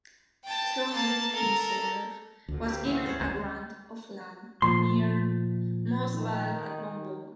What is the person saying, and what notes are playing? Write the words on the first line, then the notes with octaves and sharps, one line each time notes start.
Throsby himself was given a grant of land near Moss Vale at Bong Bong.
G5 A5
A#3 A5
A4 A#4
D2 A#2 D3
C4 G4 B4
C#3 E3 A3 C4 F#5
C5 C#5
D2 A#3 C#4
A#2 F3 C6
D#3